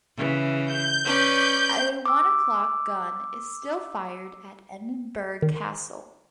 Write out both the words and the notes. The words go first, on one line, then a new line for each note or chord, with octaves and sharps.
A One O'Clock Gun is still fired at Edinburgh Castle.
C#3 E3
G6
C#4 B4 D5
D6 E6
D#3